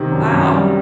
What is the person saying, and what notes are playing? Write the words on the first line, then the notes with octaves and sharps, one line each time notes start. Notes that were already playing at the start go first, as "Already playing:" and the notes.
Oh, wow.
Already playing: C3 D#3
F#2
F#2
G3